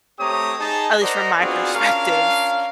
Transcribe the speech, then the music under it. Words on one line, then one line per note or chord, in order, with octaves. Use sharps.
at least from my perspective.
A3 C4 G4 C#5 A#5 D#6
D#4 G#4 A5
A#4 C5 D5 D#5 F#5 A#5
B3 C4 D4 F4 F#4 G#4
C#4 D4 F4 A#4 F5